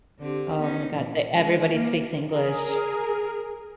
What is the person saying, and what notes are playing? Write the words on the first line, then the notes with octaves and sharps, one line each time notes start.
Oh my god. Th everybody speaks English.
D3 C4 G4
B3 C#4 D#4
A#2 E3
E3 G#3 C#4
A#3
G#4 A#4